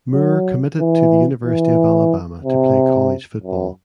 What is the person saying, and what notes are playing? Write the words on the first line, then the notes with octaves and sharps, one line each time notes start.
Moore committed to the University of Alabama to play college football.
F#3
E3
E3
C3
F#2